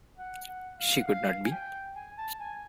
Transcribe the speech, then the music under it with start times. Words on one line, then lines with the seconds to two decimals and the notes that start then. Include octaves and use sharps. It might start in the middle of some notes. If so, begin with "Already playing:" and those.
She could not be.
0.18 F#5
0.48 F#5
0.78 F5
1.00 F#5
1.07 F5
1.45 G#5
1.52 G5
1.96 G#5
2.18 A5
2.34 A5
2.40 G#5